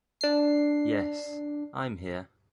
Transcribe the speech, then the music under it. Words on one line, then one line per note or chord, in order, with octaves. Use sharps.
Yes, I'm here.
D4 C7